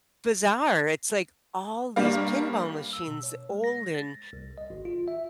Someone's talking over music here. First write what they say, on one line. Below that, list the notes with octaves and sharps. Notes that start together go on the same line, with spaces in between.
bizarre, it's like, all these pinball machines, old and
G2 G3 A#3 F5
E6
B2
C#5
G#3
A#6
A6
C2
D#5
G#1
F4
E5